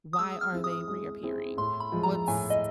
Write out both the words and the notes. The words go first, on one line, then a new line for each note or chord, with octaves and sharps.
"Why are they reappearing? What's
D#6
G#3 E6
F6
C4 E4 G#4
D#6
G#3
C4 E4 G#4
A2 C6
B5
F3 G#3
A#5
A2 G#5
D#5